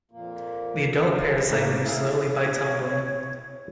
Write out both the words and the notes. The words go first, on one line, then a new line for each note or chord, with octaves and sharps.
The adult parasite moves slowly by tumbling.
F2 A#2 A#3
A2 C#3 A#3
E4 G#4 F5
C#5